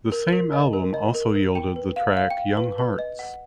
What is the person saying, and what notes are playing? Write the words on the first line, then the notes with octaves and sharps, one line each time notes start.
The same album also yielded the track "Young Hearts".
A#4
A#4
D#5
A#4
D#5
A#4
A#4
G5
B4
F5
F5
G5
F5
B4
B4
D#5
F#5